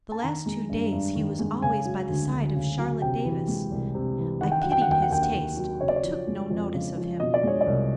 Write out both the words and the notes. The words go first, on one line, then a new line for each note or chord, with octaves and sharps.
The last two days he was always by the side of Charlotte Davis: I pitied his taste, but took no notice of him.
A5
D#3 A#5
G#3
G2
G2
D#3
G#3
C#3 G#5
F#3
D2
D2
C#3
F#3
C3 G5
E3
G#3
C2
C3
E3
D#3 F#5
G5
F#3 F#5
G5
F#5
D#2 G5
F#5
D#2 G5
F#5
D#3
F#3
C#3 C#5
D5
C#5
F3
G#3
F2
C#3
F3
B2 D#5
D5
G#3 C#5
D5
C2